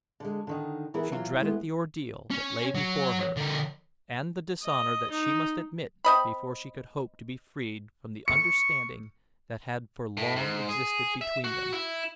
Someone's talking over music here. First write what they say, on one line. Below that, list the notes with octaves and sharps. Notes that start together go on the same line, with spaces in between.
She dreaded the ordeal that lay before her and the dishonor that she must admit before she could hope to be freed from the understanding that had for long existed between them.
D3 G#3
D3 D#3 D#4
E3 B3 E4 G#4 A#4
E3 F#3 F4
G#3 A3 B3
C#4
F#3
D3 A#4
D#5
D#4
C4 D#5 B5
C#6 C#7
A2
G#2
G#4
E5
F#4
E4